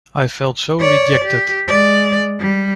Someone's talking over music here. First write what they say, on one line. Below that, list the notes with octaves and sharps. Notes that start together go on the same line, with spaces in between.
I felt so rejected.
C#5 D5
G4
G#3 D5
G3